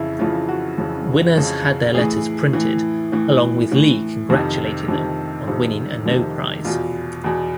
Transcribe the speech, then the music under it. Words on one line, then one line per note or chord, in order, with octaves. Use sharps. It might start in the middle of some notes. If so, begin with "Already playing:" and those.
Winners had their letters printed along with Lee congratulating them on winning a No-Prize.
Already playing: F2 C#3 E3 E4
F2 C#3 E3 F4
F#4
F2 C#3 E3
F2 C#3 E3
A2 E3 G#4
A2 E3
A2 E3
A2 E3
F2 C3 D#3
F2 C3 D#3
F2 C3 D#3
F2 C3 D#3
E2 B2 F4
E2 B2